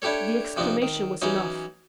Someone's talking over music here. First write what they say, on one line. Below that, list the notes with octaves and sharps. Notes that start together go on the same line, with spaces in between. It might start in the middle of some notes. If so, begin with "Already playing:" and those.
The exclamation was enough.
D4 E4 G4 A4 C#5
C3 F3 D4 D#4
D#3
E3 F#3 C#4 D#4